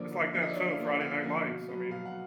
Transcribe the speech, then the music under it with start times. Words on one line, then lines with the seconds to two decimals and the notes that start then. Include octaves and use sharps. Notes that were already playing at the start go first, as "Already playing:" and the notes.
It's like that show, Friday Night Lights, I mean,
Already playing: D3 F3 A#3 D5
0.12 D3
0.33 F3 A#3 E5
0.42 D#5
0.50 D5
0.56 D3 C#5
0.71 F5
0.79 F3 A#3
0.86 F#5
1.00 D3 F5
1.23 F3 A#3
1.45 B2
1.68 F#3 B3
1.90 B2 F5
2.05 F#5